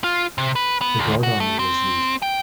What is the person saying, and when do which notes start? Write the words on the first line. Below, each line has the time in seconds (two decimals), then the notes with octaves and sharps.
The guard army was used.
0.04 F4
0.38 C3
0.56 B4
0.81 B3
0.99 D2
1.23 F#4
1.40 A3
1.59 C4
2.22 G5